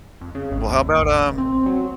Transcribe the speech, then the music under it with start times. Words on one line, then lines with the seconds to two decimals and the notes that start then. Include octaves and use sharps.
Well, how about, um
0.21 F2
0.35 C#3
0.51 G#1
0.68 D#2
0.94 A1
1.21 F1
1.38 C4
1.66 F#3